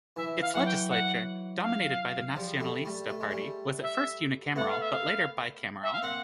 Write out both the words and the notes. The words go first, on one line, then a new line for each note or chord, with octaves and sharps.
Its legislature, dominated by the Nacionalista Party, was at first unicameral, but later bicameral.
E3 E5
F5
E3 F#3 F#5
G5
F#5
F5
F3 G3
G3 A3
G3 A3
A3
G#3
G3 A3
E5
A3 B3 F#5
F5
E5
F5
E5
F5
A#3 C4 F#5